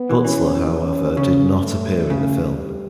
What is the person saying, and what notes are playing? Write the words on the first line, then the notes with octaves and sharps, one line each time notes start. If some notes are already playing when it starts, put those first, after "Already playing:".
Butler, however, did not appear in the film.
Already playing: B3
E3
E3 C#4
C#4
C#3
A3
C#3
G3